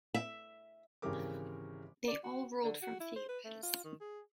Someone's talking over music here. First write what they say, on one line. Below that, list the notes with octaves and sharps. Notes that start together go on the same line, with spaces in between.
They all ruled from Thebes.
E5
G#1 C#3 E3 G4 A#4 D6
D5
F#4
D3
F#4
E4
C5
B4
A3
F4
D#3
G#4